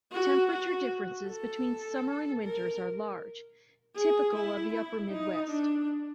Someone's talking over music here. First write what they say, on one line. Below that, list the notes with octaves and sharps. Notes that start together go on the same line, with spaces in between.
Temperature differences between summer and winters are large, typical of the Upper Midwest.
F#4
F#4
A4
A#4
G#4
E4
E4
D#4
D4